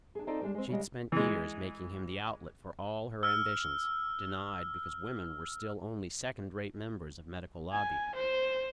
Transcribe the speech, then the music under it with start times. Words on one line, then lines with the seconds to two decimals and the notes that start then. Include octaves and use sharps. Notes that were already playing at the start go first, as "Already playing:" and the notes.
She'd spent years making him the outlet for all her ambitions, denied because women were still only second-rate members of Medical Lobby.
0.15 D4 G#4
0.27 C4 D#4 F4 A4 C5 D5
0.41 G3 G#3 D4
0.54 G#3 C4
0.69 C#3 G3 G#3
1.12 E3 G#3
3.23 E6 F6
7.72 G#5
8.16 C5